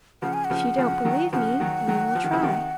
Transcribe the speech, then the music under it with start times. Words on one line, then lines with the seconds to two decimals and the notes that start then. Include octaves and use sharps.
If you don't believe me, we will try.
0.22 C#3 F3 F#5
0.33 G#5
0.45 F#5
0.50 C#3 F3
0.77 C#3 F3
1.05 D#3 F#3
1.33 C#3 F3 F#5
1.60 D#3 F#3
1.87 D#3 F#3
2.15 F3
2.24 D#3
2.32 C#3 F3
2.43 C3 D#3